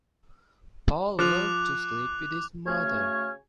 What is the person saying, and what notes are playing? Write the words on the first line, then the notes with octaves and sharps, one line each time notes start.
Paul loved to sleep with his mother.
F3 D6 F#6 F7
C#3 A3 F#4 C#5 G#5 F6